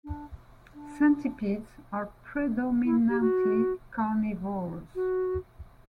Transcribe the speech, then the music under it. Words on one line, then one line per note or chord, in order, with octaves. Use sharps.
Centipedes are predominantly carnivorous.
D4
D4
E4
G4
F#4
F#4